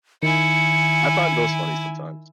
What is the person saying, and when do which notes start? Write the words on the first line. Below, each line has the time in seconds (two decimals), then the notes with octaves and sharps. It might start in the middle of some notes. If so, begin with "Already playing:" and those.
I I find those funny sometimes.
0.23 D#3 E4 G#5 C#7